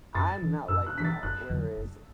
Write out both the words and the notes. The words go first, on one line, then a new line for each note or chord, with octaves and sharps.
I'm not like that. Whereas,
F#2 A6
E3 D4
F#2 E6
F#6
E3 D4 A6 B6
F#1 F#6
E2 D3 F#3
F#1